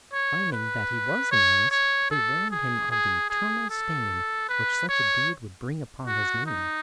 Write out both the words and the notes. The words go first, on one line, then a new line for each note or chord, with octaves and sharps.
Finding that he was in earnest they warned him of the eternal stain which such a deed would bring upon his name.
C#5
B4
C#5
C#5
A4
G#4
G#4
G#4
A4
B4
C#5
F#4
D#4